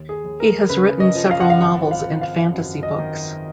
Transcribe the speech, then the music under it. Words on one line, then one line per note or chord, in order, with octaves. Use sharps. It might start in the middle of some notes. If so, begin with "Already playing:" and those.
He has written several novels and fantasy books.
Already playing: D#2
G#4
D#2
A#4
C#3 B4
D#5
F3
F5
F#5
F5
G#1 F#5
F5
G#1
F5
F#2
D#5
D#3